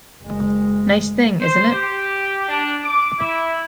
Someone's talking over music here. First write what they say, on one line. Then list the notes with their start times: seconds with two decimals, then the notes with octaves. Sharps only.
Nice thing, isn't it?
0.23 F#1 G#3
1.42 C5
1.73 G4
2.49 D4
2.84 D6
3.19 E4